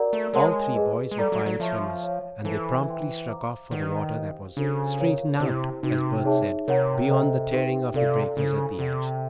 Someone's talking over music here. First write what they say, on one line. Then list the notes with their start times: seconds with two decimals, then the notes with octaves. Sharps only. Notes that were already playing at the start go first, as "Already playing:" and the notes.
All three boys were fine swimmers, and they promptly struck off for the water that was "straightened out," as Bert said, beyond the tearing of the breakers at the edge.
Already playing: F#4 A#4 D5 F#5 A#5
0.13 A3
0.33 G#3 A#4 C#5 F#5 A5 C6
0.75 G#4 B4 D#5
1.12 G#3
1.18 G3 A4 D5 F5 A#5
1.32 F#3
1.46 F#3
1.60 F3 C#5 E5 A5 C#6
2.02 C#5 F5 A5
2.45 E3 A4 C5 E5 A5
2.87 C5 E5 G5 C6
3.29 C5 F5 A#5 D6
3.71 D#3 B4 D5 F#5 A#5
4.13 G4 C5 F5
4.57 C#3 D4 F#4 A4 C5
4.99 F4 A#4 C#5 F5 A#5
5.40 C3 E4 G4 C5
5.83 C3 D#4 F#4 B4
6.25 D#4 G#4 C#5 E5 A5
6.67 C3 A#4 C#5 F#5 A#5
7.10 A4 C5 D#5 G5 A#5
7.52 D#4 G4 B4 E5 G5
7.94 C3 F4 A4 D5 F5
8.36 C#3 E4 A4 C5
8.79 C3 A4 D5 F#5